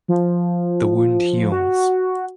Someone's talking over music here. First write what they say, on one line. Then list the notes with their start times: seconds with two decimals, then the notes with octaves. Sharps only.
The wound heals.
0.08 F3
1.52 F#4